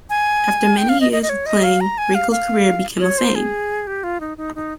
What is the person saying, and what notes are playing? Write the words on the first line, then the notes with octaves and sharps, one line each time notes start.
After many years of playing Rico's career became a fame!
G#5
G5
F5
D#5
D#5
D#5
C#5
D#5
F5
A#5
G#5
F5
F5
C#5
C5
G#4
G4
F4
D#4
D#4
D#4